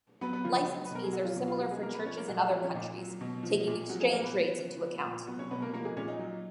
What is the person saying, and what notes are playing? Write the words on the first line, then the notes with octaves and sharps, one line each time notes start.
License fees are similar for churches in other countries, taking exchange rates into account.
F#3 B3 B4
B3 B4
C#3 F3 F4
D#4
F#3 D#4
B4
B2 A#4
G#4
F#3 F#4
F3 F4
B2
F3 F4
F#3 F#4
G#3 G#4
B2 A#3 A#4
B3 B4
F3 C#4 C#5
A#3 A#4
A#2 F#3 F#4
G#3 G#4
F3 F4
C#4
A#2 D#4
F#3
B2
F3
A#2
F3 F#3 F#4
G#3 G#4
A#2 A#3 A#4
B3 B4
F3
C#3
F3
A#2
F#3 B3 B4
C#4 C#5
B2 B3 B4
A#3 A#4
F3 A#3 A#4
G#3 G#4
A#2 C#4
D#4
F#3